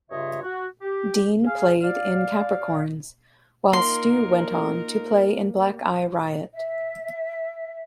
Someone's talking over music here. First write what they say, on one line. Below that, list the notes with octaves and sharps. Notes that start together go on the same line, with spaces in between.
Dean played in Capricorns, while Stu went on to play in Black Eye Riot.
G2 C#3 F4 C#5 D#5 E5
F#4
G4
G#4 F5
D5 F5
A#3 D#4 F4 A#4 C6
E5